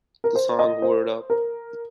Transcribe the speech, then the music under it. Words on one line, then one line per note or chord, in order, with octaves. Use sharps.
The song Word Up!
A#4
C5
D#5
C5
A#4